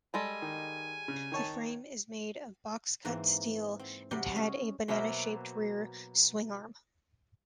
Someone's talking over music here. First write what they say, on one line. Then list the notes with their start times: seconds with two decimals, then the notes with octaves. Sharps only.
The frame is made of box cut steel and had a banana-shaped rear swingarm.
0.14 G3 G#3 A4 G#5
0.42 D#3
1.08 C#3
1.32 D#3 C#5 A5
3.05 G#2 E3 A#3 C4
3.79 C4
4.11 C3 F#3 G4 D5 B5
4.36 G#3 C#4 G#4
4.88 B2 F#3 A#3 C5 E5